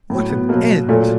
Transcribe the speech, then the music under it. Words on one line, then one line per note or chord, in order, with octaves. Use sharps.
What an end!
A2 F#3
B3
B2 F#3 A#3
A#2 F#3 A3